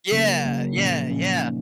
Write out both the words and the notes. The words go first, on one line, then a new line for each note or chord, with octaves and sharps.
Yeah. Yeah, yeah.
C#3 F#3 A#3
C#3 F#3 A#3
A#2 F3 A#3 C#4
A#2 F3 A#3 C#4
A#3 D#4